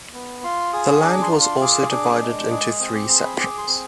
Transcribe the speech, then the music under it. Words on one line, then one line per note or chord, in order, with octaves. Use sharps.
The land was also divided into three sections.
B3
F4 C6
G#4 D#6
D4 D6
D6
C6
F4
C6
G#4 D6
D4 D6
G#3
G#4
C4 D#6
D6
G#4 C6
B5
G#4 D6
C6
C4